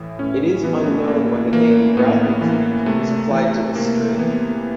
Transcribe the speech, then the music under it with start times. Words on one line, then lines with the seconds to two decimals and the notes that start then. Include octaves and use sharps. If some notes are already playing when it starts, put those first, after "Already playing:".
It is unknown why the name "Bradley Creek" was applied to this stream.
Already playing: A2 E3 E4
0.19 A2 C#4
0.64 E3 B3
0.86 A3
1.08 A2 A#3
1.53 E3 A#3
1.97 A2 B3
2.41 E3 A#3
2.86 C3 A3
3.31 E3
3.75 C3 A#3
4.19 E3 B3